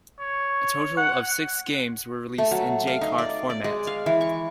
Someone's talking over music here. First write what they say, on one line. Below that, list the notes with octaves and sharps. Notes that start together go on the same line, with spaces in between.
A total of six games were released in J-Cart format.
C#5
F#5
A3
F#3
F5
D#4
D5
D5
G#3
F5
E3
C#6